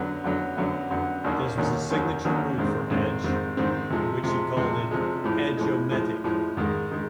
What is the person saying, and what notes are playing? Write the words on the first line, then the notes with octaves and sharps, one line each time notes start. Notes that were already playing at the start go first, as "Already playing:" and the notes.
This was a signature move for Edge, in which he called it "Edge-O-Matic".
Already playing: F#2 D3 F#3 B3
F#2 D3 F#3 B3
F#2 D3 F#3 B3
F#2 D3 F#3 B3
D#2 D#3 F#3 A#3 C#4
D#2 D#3 F#3 A#3 C#4
D#2 D#3 F#3 A#3 C#4
D#2 D#3 F#3 A#3 C#4
G#2 D#3 G#3 C4
G#2 D#3 G#3 C4
G#2 D#3 G#3 C4
G#2 D#3 G#3 C4
C3 F3 G#3
C3 F3 G#3
C3 F3 G#3
C3 F3 G#3
A2 F3 G#3
A2 F3 G#3
A2 F3 G#3
A2 F3 G#3
G#2 D#3 G#3
D#3 G#3